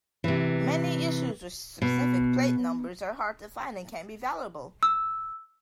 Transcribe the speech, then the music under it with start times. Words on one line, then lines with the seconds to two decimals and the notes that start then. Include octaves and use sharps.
Many issues with specific plate numbers are hard to find and can be valuable.
0.24 C3 E3
1.82 B2
4.83 E6